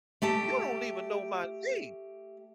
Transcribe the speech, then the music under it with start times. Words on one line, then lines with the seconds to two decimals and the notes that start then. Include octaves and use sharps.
You don't even know my name."
0.22 A3 G4 A5